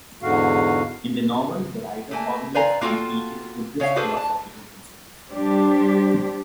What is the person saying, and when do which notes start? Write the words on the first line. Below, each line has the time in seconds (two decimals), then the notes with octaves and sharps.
In the novel the writer formulates and preaches Buddhist philosophical principles.
0.22 E2 G#2 D3 F#4 F5
2.11 A3 A#3 G#5
2.54 B4 C5 D5 F5 G#5 A#5
2.81 A#3 F4 F#4 A4 G5
3.80 C#3 C#5 E5 F5
3.96 D4 F#4 G#4 A4 B4 C5
4.17 A5
5.32 G3 D4 G4 C5